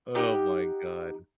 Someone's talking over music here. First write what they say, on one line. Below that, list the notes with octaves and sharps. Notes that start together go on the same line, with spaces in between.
Oh my god.
D#4 G4 F#5